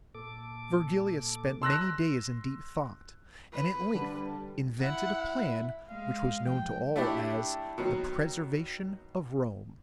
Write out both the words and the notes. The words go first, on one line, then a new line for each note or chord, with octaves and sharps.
Virgilius spent many days in deep thought, and at length invented a plan which was known to all as the 'Preservation of Rome.'
A#2 A4 D6
C6 E6 F#6 A#6
B4
D3 G3
E4 F#5
G#3 F5
F3 G5
A3 D4 E4 G4
B2 D#3 F#3